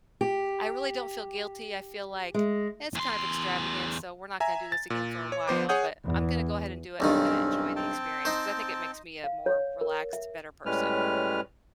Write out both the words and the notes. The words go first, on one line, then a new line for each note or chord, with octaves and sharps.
I really don't feel guilty; I feel like, "It's kind of extravagant, so we're not gonna do this again for a while, but, I'm gonna go ahead and do it, and I'm gonna enjoy the experience," 'cause I think it makes me a more relaxed, better person,
G4
G#3
E2 C6
E5 G#5 A#5
A6
A#2
C#5
F3 B3 C5 D6
G#4 C#5 F#5 D#6 G6
E2
B1 G2 D#3 C4 C#4
C4 G5 A5
D#4 C5
F5
C#5
A#4
E5
A2 G3 G#3 C#4 B4 F6